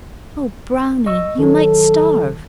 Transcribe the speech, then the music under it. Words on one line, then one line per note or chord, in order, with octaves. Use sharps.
'Oh, Brownie, you might starve!'
D#5 C#6 E6
D#3 F#3 A4